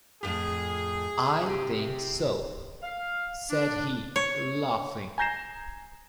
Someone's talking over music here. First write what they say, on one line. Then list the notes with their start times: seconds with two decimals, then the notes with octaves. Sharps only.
"I think so," said he, laughing.
0.23 F2 A2 G#4
1.46 C3 G4 G#4
2.82 F5
3.50 D4
4.16 C#5
5.18 G#5 A#5 G6 A#6 C7 E7